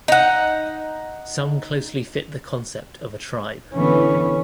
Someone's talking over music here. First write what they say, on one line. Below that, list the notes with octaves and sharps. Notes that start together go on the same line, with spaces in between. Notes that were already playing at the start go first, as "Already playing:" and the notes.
Some closely fit the concept of a tribe.
D#4 F#5
D3 E3 B3 C#4